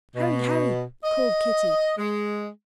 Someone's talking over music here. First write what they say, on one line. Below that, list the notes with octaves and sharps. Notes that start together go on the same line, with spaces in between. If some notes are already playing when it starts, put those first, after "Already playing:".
"Hurry, hurry!" called Kitty.
B2
D#5
G#3